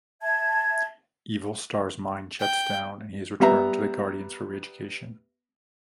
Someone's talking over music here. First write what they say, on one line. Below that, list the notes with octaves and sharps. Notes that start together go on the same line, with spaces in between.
Evil Star's mind shuts down, and he is returned to the Guardians for re-education.
E5 A5 G#6
G5
G3 B3 E5 A#5